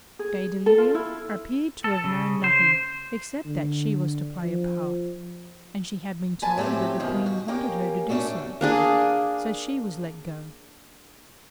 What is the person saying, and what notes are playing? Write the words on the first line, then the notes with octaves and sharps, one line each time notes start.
Gay d'Oliva appeared to have known nothing except that she was to play a part, and she had been told that the Queen wanted her to do so, so she was let go.
G#4
A4
F4
E4
A4
C#3
C5
D3
F3
B4 G#5 A5
A2 F#3 A3 C4 G4
F#2 B2 D#3 F3
F#4
A#3 C#4 G4 A#4
A3 C#4 D4 F#4 A4
A#3 D4 G#4